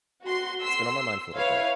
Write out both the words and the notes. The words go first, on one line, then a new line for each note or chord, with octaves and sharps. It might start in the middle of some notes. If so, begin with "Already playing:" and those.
it's been on my mind for little bit
F#4 C6
C6 E6 C7
E4 B4 C#5 F5